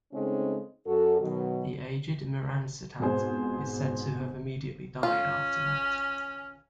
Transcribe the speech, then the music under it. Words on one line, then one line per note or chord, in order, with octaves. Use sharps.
The aged Mihransitad is said to have immediately died after that.
C#3 G#3 A3 C4 C#4 D#4
F#2 F#4 A4
B2 D#3 F#3
F2 G#2 B2 G#4 C5
C#4 F4